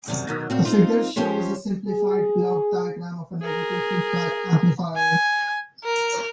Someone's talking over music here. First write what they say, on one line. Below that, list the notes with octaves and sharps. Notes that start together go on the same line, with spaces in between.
The figure shows a simplified block diagram of a negative feedback amplifier.
F#2 C3 G3
B2 D#3 F#3
A#2 C4 F#4
C4 D#4 F4
F3 C#4 G4 C5 C#5
G#4
G#4 A#4
G#5
A#4